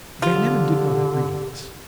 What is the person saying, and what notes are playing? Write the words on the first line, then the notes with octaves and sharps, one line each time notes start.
Van Emmon did not agree to this.
D3 F4 G4